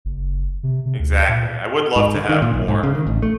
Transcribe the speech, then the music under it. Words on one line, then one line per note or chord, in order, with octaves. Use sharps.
Exactly. I would love to have more
F#1
C3
C3
D2
A#2
G#2
D3
D#3
A#2
B1
G#2
C#3
D#3
A1
A3